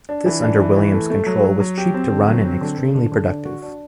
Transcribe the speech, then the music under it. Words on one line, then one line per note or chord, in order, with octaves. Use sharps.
This under Williams control was cheap to run and extremely productive.
D4
E3
D4
E3
E3
A3
A3
F#3
F#3
F#3
G4
C4
D3
F#3
C4
D3
D3
D3
D3
D4
F#4
D4